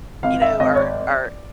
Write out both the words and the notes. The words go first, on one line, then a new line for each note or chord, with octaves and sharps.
you know, our our,
G#1 F5
E5
G#1 D#5
C#5
D5